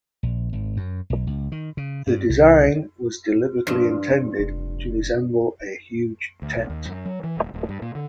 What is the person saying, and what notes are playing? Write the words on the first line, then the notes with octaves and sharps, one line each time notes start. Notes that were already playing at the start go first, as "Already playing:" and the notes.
The design was deliberately intended to resemble a huge tent.
A#1
G#1
F#2
B1
C#2
D#3
C#3
G2
C2
G2 F3
F1
D2
B1
D#2
F#2
F#3
E3
D#1
D1
G2
A#2
D3